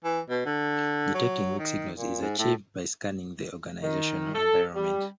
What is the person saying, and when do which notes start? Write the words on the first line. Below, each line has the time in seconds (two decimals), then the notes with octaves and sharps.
Detecting weak signals is achieved by scanning the organizational environment.
0.04 E3
0.30 B2
0.46 D3
1.15 F#3
1.59 D#3
1.97 A#2
2.22 G#2
2.38 A2
3.82 D#3
4.34 A4
4.74 G3